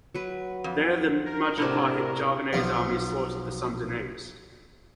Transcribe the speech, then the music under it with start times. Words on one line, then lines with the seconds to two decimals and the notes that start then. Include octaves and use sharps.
There the Majapahit-Javanese army slaughtered the Sundanese.
0.14 F#3 B4
0.64 F2
1.26 A#4
1.58 A2 C3 D4 E4 F#5
2.53 B1 F3